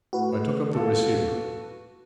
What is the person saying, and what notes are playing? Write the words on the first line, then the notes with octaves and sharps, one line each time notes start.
I took up the receiver.
A2 F#4 B4
A4 F5